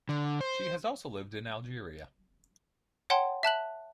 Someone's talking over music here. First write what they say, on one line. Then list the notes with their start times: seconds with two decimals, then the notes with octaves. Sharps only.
She has also lived in Algeria.
0.09 D3
0.41 C5
3.10 C#5 F#5 G5 A5 C6
3.43 E5 A5 F#6 F#7